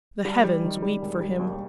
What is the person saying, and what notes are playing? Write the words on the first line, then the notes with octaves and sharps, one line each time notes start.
The heavens weep for him.
G3
G3
D#3
G3
E1
G3
D#2